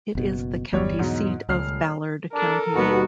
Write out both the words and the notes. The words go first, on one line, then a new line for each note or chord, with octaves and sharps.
It is the county seat of Ballard County.
F#1 B2
G1 E2 G3 C#5
E2 G#2 B2 F#3 D#4
D#1 C#2 F6 C7
D4 A4 A#4
D#2 B2 G3 B3 F#4